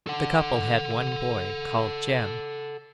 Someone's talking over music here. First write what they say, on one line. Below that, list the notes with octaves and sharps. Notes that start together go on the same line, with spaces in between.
The couple had one boy called Jem.
A4 F#5